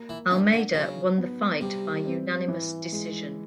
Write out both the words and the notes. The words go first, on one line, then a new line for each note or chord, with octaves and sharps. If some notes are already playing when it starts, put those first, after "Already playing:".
Almeida won the fight by unanimous decision.
Already playing: A#3
E3
E3 D4
D3
C#3 F#3
B3
C3 G3
C4
E3
G#3